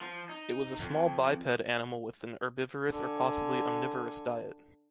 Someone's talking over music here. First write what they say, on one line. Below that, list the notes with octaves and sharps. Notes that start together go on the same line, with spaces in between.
It was a small biped animal with a herbivorous or possibly omnivorous diet.
F3
D#4
F2
D3 G#5